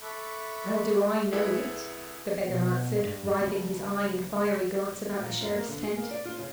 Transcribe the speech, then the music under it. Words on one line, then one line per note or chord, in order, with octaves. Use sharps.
"Well do I know it," the beggar answered, writhing his eye in fiery glance about the Sheriff's tent.
A4 E5 B5 C#6 D6 F#6
C2 E4 G#4 A4 B4
B2
G2
C#2 G3 A#3
A#2
F#2
A#3
D3
G#4
A#3
D5
F4
C#3